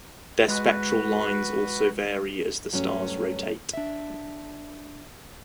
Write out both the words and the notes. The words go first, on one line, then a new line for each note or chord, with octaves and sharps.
Their spectral lines also vary as the stars rotate.
G#3 F#4 B4
G2 F#3 A3 C#4
D4 E5